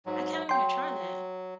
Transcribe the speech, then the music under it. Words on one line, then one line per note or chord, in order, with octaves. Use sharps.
I kinda wanna try that.
G#2 F#3
F#3 G5 C6